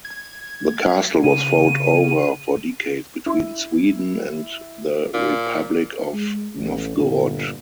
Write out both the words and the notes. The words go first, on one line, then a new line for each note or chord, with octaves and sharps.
The castle was fought over for decades between Sweden and the Republic of Novgorod.
G#6
C#3 D#7
E4
A#2
G#3
A1
G1 A#2 D3